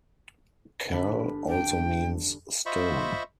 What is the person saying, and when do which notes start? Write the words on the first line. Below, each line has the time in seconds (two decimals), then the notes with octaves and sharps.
'Kal' also means 'stone'.
0.91 G1 D4 B5
1.49 D4 G5
2.66 F4 C5 D#5 E5 B5 C#6